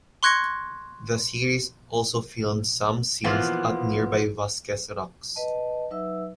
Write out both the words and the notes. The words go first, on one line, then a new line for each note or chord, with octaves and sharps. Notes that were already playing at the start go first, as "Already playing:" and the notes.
The series also filmed some scenes at nearby Vasquez Rocks.
C6 C#6 F#6 G#6 A#6 C#7
B2 E3 F3 A#3 B3 F4
B4 D#5 A5
F#3 D#4 B4 E5 E6